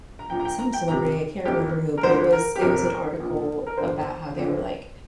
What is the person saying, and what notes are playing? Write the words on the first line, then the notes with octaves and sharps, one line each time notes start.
some celebrity, I can't remember who, but, it was it was an article about how they were, like,
A#5
A#1 A#2 F3 G5
A#5
G5
A#5
G5
C2 C3 F3 A#5
G1 F2 F3 G4
A#4
D2 D3 F3 C5
A#4
G4
G1 F2 C3 F3 A#4
A#1 A#2 F3
A#4
G1 G2 D3 C5
F1 F2 D3 F3